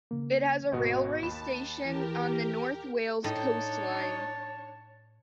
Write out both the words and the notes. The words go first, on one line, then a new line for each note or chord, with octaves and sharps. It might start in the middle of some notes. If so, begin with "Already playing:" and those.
It has a railway station on the North Wales Coast Line.
C#3 A#3
G#1 B2 F#4 D#5
D#2 A5 B5 E7
E3 G4 A#4
A2 D4 D#4 C#5 A5